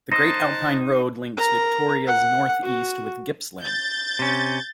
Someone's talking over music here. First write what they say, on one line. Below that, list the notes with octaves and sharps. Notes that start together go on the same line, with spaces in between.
The Great Alpine Road links Victoria's North East with Gippsland.
D#4 A#4 C5 D#5 F#5 A5 A#6
A#4 A#5
F#5
F#4
G6 A6
C3 C#4